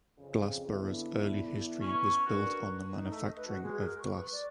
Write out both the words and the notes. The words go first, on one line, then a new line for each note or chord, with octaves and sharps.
Glassboro's early history was built on the manufacturing of glass.
F2 C#3
D3 B3 E4
C#4
D4 F#4 A#4 B4
D#4
A3
D#5
B4
F#4
G#3
A#4
C#6
B4
D5